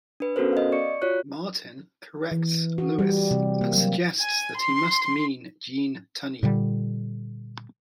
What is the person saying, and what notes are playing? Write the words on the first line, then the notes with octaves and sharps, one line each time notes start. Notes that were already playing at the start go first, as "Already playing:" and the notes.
Martin corrects Lewis and suggests that he must mean Gene Tunney.
D4 B4
B3 C#4 F#4 A4 A#4 C5
D#5 F5
D5 C#6 C#7
F4 F#4 C#5 F#6
E3
F#4
G3
C3
A#3
F#3
G#5
C6
A#2 D3 G3